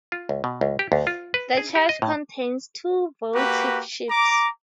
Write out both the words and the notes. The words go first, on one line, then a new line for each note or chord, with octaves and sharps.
The church contains two votive ships.
F4
C#2
B2
C#2
G4
D2
F4
B4
G#4
G4
D#5
A2
A#3 F#4 G4 B4
A#5 D6